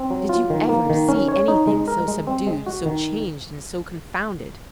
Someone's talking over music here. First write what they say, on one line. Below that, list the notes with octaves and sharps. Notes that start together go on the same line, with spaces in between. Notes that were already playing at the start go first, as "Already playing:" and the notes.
Did you ever see anything so subdued, so changed, and so confounded?
Already playing: C4
F#3
F4
D#3
A#3
D#3
C#4
C#5
D#4
G#3
A#4
G#3
C4
G#3
F#4
D#3